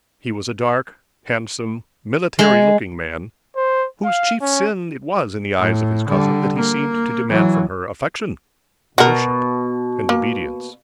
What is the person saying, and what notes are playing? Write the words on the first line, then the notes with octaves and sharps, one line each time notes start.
He was a dark, handsome, military-looking man, whose chief sin it was in the eyes of his cousin that he seemed to demand from her affection, worship, and obedience.
G#3
C5
F5
C#4
A2
D3 G3
A#3
E3 F#3
B2 F#4 A#4
A#3